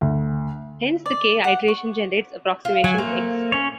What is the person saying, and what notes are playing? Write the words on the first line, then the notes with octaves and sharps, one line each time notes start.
Hence the "k" iteration generates approximation "x".
D2
D5
F#5
C#6
F4
F#3 G#5
A3 A#3 C4
C#4 C#5